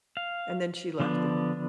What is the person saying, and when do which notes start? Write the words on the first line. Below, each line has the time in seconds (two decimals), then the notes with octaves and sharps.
And then she left him.
0.17 F5
1.00 D3 F3 B3 D4